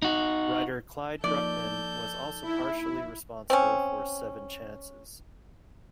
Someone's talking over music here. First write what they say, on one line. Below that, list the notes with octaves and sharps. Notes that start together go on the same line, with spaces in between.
Writer Clyde Bruckman was also partially responsible for "Seven Chances".
D#4 F#4
F3 A#3 D#4 A4 D5 G6
E4
C4 C#4